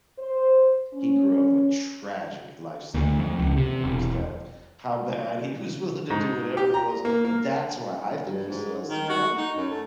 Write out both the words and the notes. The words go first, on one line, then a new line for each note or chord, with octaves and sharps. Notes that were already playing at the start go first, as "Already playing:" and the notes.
he grew up a tragic lifestyle and he remembers that of how bad he was willing to do whatever it was. That's why I think he still has the drive
C5
C#4
D2
F2
C#2
C3
E1
G#2
G4
A#5
A#3
A#3
G2
G#2
D#3
F#4
D#4
F#2
A3